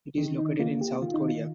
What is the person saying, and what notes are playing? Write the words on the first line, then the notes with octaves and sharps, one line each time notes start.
It is located in South Korea.
D#3
D#4
A#3 F4
G4
D#3 F4
D#4
F4